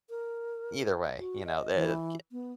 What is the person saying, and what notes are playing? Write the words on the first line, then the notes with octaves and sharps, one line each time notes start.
Either way, you know, the c
A#4
F#4
D#5
E3
B3